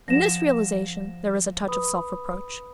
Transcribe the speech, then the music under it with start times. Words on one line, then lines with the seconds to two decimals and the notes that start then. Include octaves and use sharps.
In this realization there was a touch of self-reproach.
0.08 F3 F#5 A#6 E7
1.68 B4 B5 D#6